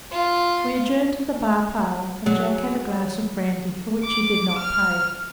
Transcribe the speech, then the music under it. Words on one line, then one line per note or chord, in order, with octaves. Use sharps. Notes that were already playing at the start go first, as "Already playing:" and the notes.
We adjourned to the bar parlour, and Jack had a glass of brandy, for which he did not pay.
F4
F#3 G#4
D6
F6